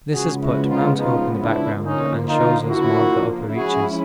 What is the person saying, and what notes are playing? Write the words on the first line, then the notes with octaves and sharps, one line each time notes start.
This has put Mount Hope in the background and shows us more of the upper reaches.
C#3 F3 G#3 B3 F#4 G#4
E4 F#4
D#4 F4
D#4 F4
D4 E4
D3 F3 A#3 C#4 D#4
D#4 F4
E4 F#4
F3 G#3 C#4 E4 F#4 G#4